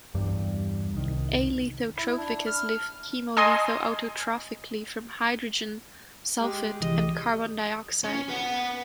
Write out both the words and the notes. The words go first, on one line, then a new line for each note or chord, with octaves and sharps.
A. lithotrophicus live chemolitho-autotrophically from hydrogen, sulfate and carbon dioxide.
E2 G2 G3
C2 D#3
E4
D4
F6
D#5 G#5 C6 D#6
G#3 G4
C2 E3 D#5
C#4
B4 F#5